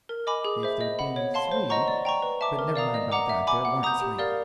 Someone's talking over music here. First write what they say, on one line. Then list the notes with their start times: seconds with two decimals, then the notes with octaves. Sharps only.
If there'd been three--But never mind about that, there warn't three.
0.09 A#4
0.27 D#5 G#5 B5 D6
0.45 G#4
0.63 C5 E5
0.81 D#5
0.99 F#5 B5
1.16 C#5
1.34 F5 A5 C6
1.51 C5
1.70 D#5 F#5 A#5 C#6
1.88 D5
2.05 G5 A#5 C#6
2.22 B4
2.41 E5 A5 D6
2.59 A#4
2.76 D5 F5 A#5 D#6
2.94 D#5
3.12 F#5 A#5 D6
3.29 E5
3.47 G#5 B5 D6
3.65 F#5
3.83 A#5 D#6 G6
4.01 G4
4.19 A#4 D5 F5